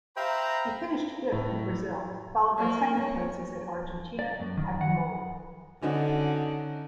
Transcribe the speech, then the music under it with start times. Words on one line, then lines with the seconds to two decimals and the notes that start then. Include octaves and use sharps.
He finished fifth at Brazil, followed by second places at Argentina at Imola.
0.16 C5 E5 F5 G5 A#5 B5
1.32 A2
2.58 A#3
2.99 C#5
4.19 D5
4.40 F#2
4.57 D#3
4.81 F#5
5.82 D3 C#4 D#4 F#4